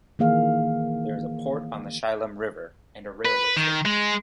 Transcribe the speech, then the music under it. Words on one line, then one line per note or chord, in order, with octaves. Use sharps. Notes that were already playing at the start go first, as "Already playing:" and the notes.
There is a port on the Chulym River and a railway station.
D#3 E3 A#3 G#4 F5
B4
D#3
G#3